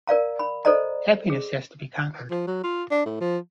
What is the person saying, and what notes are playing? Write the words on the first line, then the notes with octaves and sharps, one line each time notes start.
Happiness has to be conquered.
A#4 D5 F5 A#5
B5
A4 C5 D5 D#5 A#5
G#4
F3
F#3
F4
D4
A2
F3